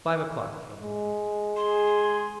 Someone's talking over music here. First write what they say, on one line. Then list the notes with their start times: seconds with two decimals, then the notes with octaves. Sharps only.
Five o'clock came.
0.83 G#3
1.57 G#4 C6